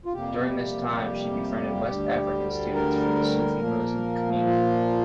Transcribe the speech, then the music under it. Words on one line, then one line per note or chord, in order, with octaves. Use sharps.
During this time, she befriended West African students from a Sufi Muslim community.
F4
F2 C3 G3 A#3 G4
D2 D3 G3
A#4
A#2 F3 A#3
F4